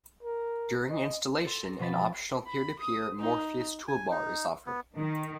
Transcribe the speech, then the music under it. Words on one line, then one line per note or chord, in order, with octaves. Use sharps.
During installation, an optional peer-to-peer Morpheus Toolbar is offered.
A#4
D#5
A4 C6
A#6
B2 F3 B5 A6
C4
B5
D#6
D#4
G#5
D#4
B3
D#3